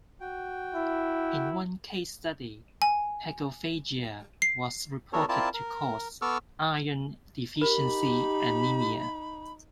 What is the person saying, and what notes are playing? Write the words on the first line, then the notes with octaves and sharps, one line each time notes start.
In one case study, pagophagia was reported to "cause" iron deficiency anemia.
F#4 G5
E4
G#5
C7
B3 D4 F#4 A4 A#4 C#5
C4 E4 F4 A#4 D5 A5
A#4
B3 A4 C#6 D6 E6 F6
D#4 G4 A#4 B5